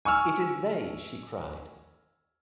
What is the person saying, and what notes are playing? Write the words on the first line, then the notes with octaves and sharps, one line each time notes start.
"It is they," she cried.
G#5 C#6 E6 F6